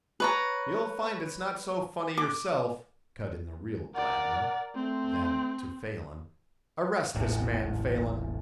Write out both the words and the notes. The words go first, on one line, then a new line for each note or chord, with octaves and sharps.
"You'll find it's not so funny yourself," cut in the real Gladwin. Then to Phelan, "Arrest this man, Phelan."
B4 C#5 A#5
D6
A#4 D5 F#5
A3 C4
D1 A1 E2 A2